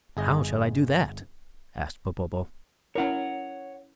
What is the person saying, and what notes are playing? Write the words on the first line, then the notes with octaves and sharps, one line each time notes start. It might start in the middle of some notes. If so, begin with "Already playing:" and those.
"How shall I do that?" asked Popopo.
G1 G#4 D#5
C#4 E4 A#4 C#5 F#5